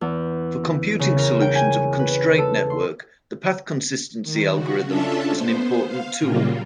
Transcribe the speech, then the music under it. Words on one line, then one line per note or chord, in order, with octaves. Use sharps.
For computing solutions of a constraint network, the path-consistency algorithm is an important tool.
E2
C#3
A#4
G5
G#5
B4
A4
C6
D#3
C#3 F#4
C#4 D4 F4 A4 E5 A5
B3 C5
F5
A#2 C#3 F#3 G3 A#3 F4